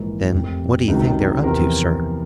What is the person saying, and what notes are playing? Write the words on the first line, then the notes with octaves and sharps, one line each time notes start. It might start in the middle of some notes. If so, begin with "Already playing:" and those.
"Then what do you think they're up to, sir?"
Already playing: A#1 G#2 E3 A#4
F1 F2 C3
C#2 C3 D#3 F#3
E2 C3 F3 A#4